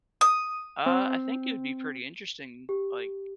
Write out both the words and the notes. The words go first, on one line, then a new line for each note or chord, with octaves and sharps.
Uh, I think it would be pretty interesting, like,
D#6
C4
G4